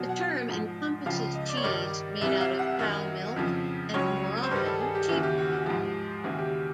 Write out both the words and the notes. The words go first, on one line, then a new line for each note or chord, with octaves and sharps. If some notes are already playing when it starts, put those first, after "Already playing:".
The term encompasses cheese made out of cow milk and more often, sheep milk.
Already playing: E2 B2 F#3
F#5
G#2 F3
C#2 C#3 F3 F5
D#5
D5
C#5
G2 D#3 G3 D5
C2 C3 E3 G3 E5
F5
F#5
F#2 D#3 F#3
F2 C#3 F3
C#2 C#3 F#3 C#5
C5
G2 D#3 G3 B4
A4
G#4
G4
D#2 C#3 E3 F#4
G4
F#4
F#4
G#2 F3 G4
D#2 C#3 E3 F#4
G4